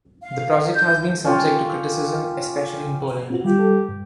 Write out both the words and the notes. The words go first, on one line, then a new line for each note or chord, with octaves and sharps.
The project has been subject to criticism, especially in Poland.
F5
G6
C#4 F4 G4
C4 F4 F#4
D#3 G3 F4 G4
G3 A4
G2